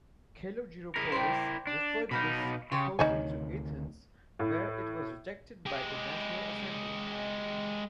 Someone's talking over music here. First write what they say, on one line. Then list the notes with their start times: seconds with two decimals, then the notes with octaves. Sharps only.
Kalogeropoulos referred this proposal to Athens, where it was rejected by the National Assembly.
0.96 E4 G#4 A#4
1.12 C5 D5 G5
1.67 D4
2.11 B2 D#4 D#5 F5 B5
2.72 C#3 G4 C#5 C6
2.99 D2 C3 D#3 D#4 C#5 G#5
4.39 A2
5.66 G#3 G4